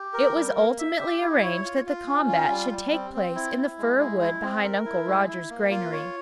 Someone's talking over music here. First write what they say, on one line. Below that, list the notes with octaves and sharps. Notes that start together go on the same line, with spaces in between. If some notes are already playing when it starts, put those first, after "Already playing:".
It was ultimately arranged that the combat should take place in the fir wood behind Uncle Roger's granary.
Already playing: G4
A#4
G3
A#3
E5
G4
E4
C#5
F4
F4
C#4
F4
G3
G3
C4
C4
E4
E4
G#3
E4
E4
C4
A#4
E4
G#3
E4
A#3
F4
C#5